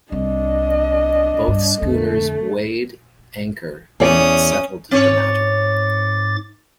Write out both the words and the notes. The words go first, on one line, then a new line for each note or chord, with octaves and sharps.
Both schooners weighed anchor and settled the matter.
C2 D4 D#5
G2
F2 D3 A3
E2 C#4 D5 D#6
G#2 C4 C#5 D6 A6